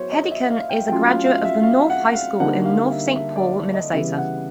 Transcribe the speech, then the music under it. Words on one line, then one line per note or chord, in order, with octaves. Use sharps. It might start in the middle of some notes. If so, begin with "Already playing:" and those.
Hedican is a graduate of North High School in North Saint Paul, Minnesota.
Already playing: F#3 B3 E4 C5 C#5 E5
D#5
E5
F5
G5
F#3 A3 C#4 F4 G5
F5
F5
E5
F5
F#5
F5
D3 G3 A#3 D#4 F#5
F5
E5
E5
D5
D#5
C#3 E3 G3 B3 E5
F#5